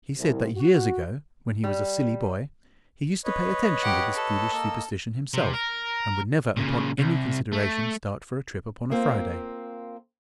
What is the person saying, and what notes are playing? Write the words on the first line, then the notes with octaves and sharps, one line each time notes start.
He said that years ago, when he was a silly boy, he used to pay attention to this foolish superstition himself, and would never upon any consideration start for a trip upon a Friday.
C2
F#4
G3
B4 C#5 D#5
G4 F#5
A4
A#3 D#5 E6
C3
A#4
A#2 C#3
C2
A3
A#3 C4 F4